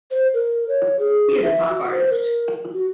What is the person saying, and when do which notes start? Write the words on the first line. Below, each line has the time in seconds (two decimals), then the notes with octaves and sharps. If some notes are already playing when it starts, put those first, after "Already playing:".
He is a pop artist.
0.11 C5
0.34 A#4
0.68 C#5
0.99 G#4
1.43 E5
1.69 F#4
1.91 C5
2.10 A#4
2.73 F#4